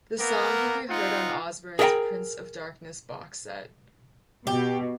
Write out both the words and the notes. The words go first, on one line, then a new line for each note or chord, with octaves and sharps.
The song can be heard on Osbourne's "Prince of Darkness" box set.
A#3 B3 A#4
C4 D#4 F4 F#5
G#4 A#4 D5 E5 G5 A#5
B2 G4